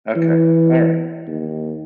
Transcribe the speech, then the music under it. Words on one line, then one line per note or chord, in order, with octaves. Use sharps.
Okay. Alright.
E3
D#2